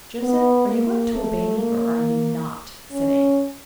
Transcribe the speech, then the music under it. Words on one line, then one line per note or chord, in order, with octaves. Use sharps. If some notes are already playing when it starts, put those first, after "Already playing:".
"Joseph, are you going to obey me or are you NOT?" said Anne.
B3
A#3
A3
A#3
C#4